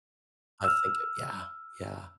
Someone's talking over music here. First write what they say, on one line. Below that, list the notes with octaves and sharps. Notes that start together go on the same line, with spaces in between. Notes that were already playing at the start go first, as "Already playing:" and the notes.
I think it yeah, yeah.
E6 F6